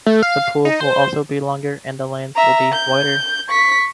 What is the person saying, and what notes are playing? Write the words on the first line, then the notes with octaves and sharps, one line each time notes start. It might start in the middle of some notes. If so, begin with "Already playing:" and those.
The pool will also be longer and the lanes will be wider.
A3
F5
D#4
C5
E5 A#5
G6
C#6 B6